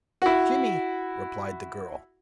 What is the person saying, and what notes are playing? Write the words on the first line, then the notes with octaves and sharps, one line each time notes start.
"Jimmy," replied the girl.
E4 F#4